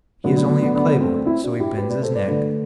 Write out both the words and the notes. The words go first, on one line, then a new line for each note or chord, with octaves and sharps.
He is only a clay-born; so he bends his neck.
D3 F#3 A3 B3
B3 D4
B3 D4
B3 D4
B3 D4
A3 C4
C4 E4
D4 F#4
E4 G4
G4 B4
B4 D5
A4 C5
B4 D5
D3 A3 B4 D5